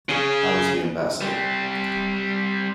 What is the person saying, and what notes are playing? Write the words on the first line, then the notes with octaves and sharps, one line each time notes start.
I was the ambassador.
C#3 G#4
G3 C4